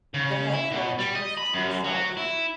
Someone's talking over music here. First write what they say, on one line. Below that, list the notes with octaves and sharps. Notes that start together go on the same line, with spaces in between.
The head coach was Gene Sullivan.
C#3
E4
B2
G3
D#5
B5
F#2
F#3
E4